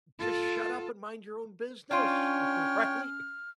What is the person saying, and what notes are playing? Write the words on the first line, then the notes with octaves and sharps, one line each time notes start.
"Just shut up and mind your own business," right?
F4 A4
C#4 D4 F4 C#5 G5 F6